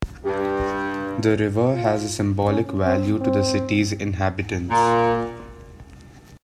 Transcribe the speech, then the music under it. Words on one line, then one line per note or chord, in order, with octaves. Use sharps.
The river has a symbolic value to the city's inhabitants.
G2 G4
F4
C#4
C4
C4
A#2 F4